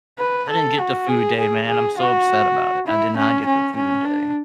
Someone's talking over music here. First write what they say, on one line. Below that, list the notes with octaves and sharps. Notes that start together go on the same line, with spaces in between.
I didn't get the food day man, I'm so upset about it, I did not get the food day.
B4
A4
F#4
G#4
G#4
G#4
F#4
E4
C#4
C#4
C#4
D4